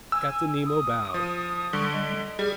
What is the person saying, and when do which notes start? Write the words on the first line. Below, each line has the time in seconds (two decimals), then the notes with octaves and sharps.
Captain Nemo bowed.
0.12 G#5 E6
0.66 D#6
1.14 F3
1.73 D3 G3 C#6
1.93 D#5
2.39 G3 G#4